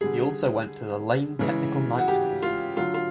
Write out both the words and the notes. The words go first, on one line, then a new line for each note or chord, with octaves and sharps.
He also went to the Lane Technical night school.
D3 G3 G#4
C#3 E3 G#3
F#4
G4
F4
D3 F#3 F4
F4